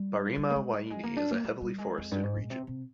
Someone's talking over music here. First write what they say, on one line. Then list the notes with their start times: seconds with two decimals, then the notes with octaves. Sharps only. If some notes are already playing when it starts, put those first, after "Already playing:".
Barima-Waini is a heavily forested region.
Already playing: G3
0.37 G3
0.50 A#3
0.56 G#3
0.73 G3
0.90 G#3
1.03 A#3
1.17 D4
1.31 A#3
1.44 G3
1.62 G3
1.78 G#3
1.98 F2
2.11 G2
2.23 G#2
2.37 A#2
2.50 C3
2.67 C3